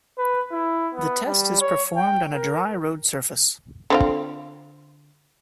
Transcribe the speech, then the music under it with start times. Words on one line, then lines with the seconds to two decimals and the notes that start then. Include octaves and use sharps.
The test is performed on a dry road surface.
0.18 B4
0.52 E4
0.95 B3
1.27 G3
1.61 C#5
1.96 G5
2.34 A#4
3.90 D3 C4 F4